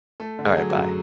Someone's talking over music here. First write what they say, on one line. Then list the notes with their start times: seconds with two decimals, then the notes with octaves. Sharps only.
Alright, bye.
0.20 A3 A4
0.39 D3
0.45 G#4
0.57 F#3
0.70 F#4
0.75 F#2